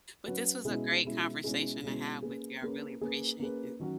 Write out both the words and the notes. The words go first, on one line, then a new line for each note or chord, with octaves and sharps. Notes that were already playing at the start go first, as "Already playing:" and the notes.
But this was a great conversation to have with you. I really appreciate you
F#3 C#4 F#4 B4
B2 G#3 C#4 E4 G#4
B2 G#3 C#4 E4 G#4
B2 G#3 C#4 E4 G#4
B2 G#3 C#4 E4 G#4
A#3 C#4 G#4 B4
A#3 C#4 G#4 B4
A#3 C#4 G#4 B4
A#3 C#4 G#4 B4
D#3 F#3 C#4 F#4